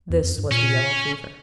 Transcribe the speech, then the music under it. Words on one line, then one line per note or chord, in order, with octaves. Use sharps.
This was the Yellow Fever.
E2
F2
G2
A#2 C#4